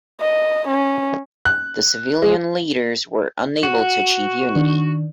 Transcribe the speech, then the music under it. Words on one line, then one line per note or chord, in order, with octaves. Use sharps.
The civilian leaders were unable to achieve unity.
D#5
C#4
F#6
G#3
F#4
D#3 D4